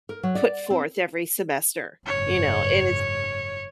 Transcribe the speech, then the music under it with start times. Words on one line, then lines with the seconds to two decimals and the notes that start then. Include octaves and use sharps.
put forth every semester, you know? And it's
0.09 A#4
0.23 F#3
0.35 D5
0.70 C4
2.06 F#1 G#2 C#5